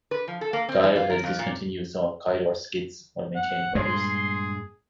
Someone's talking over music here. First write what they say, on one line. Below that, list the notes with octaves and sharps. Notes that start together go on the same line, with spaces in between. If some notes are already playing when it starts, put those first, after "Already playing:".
Thile has discontinued some of Keillor's skits, while maintaining others.
B4
F3
A4
A#3
C4
E3
F4
A#4
F2
A#2
F#5
G2 A#2 G#3 G#4 C6